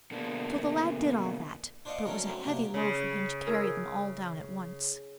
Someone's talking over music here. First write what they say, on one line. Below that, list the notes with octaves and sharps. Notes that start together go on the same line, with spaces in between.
So the lad did all that; but it was a heavy load for him to carry them all down at once.
B2 D3 A#3 D4
D4 C5 D5 D#5 F5 F#5
F#3 A3 C#4 D4 A4 A#4
F#3 C4
C3 F#3 A#3 D4 G4
C#3
E4 G#4 A#4